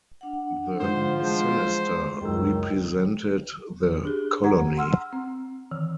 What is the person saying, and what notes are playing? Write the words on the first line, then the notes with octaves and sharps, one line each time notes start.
The sinister represented the colony.
D4 F#5
G#2 D3 F3 C5
E3 G#3 C5
C#2 F#2 D#3 G5 E6
D4 G4 G#4
F#5 A#5 G#6
F#5 C6 E6 F6
C4
D#3 E3